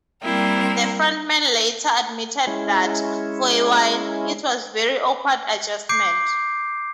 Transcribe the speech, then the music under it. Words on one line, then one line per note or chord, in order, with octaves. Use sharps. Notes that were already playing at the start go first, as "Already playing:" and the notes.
The frontman later admitted that, for a while, it was a very awkward adjustment.
G3 A#3 C4 E4 A#4 G5
G#3 C#4 E4
D6 G6 C7 D7